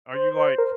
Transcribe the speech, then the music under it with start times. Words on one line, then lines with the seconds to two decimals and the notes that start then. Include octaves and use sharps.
"Are you like"
0.11 C5
0.33 C5
0.58 A#4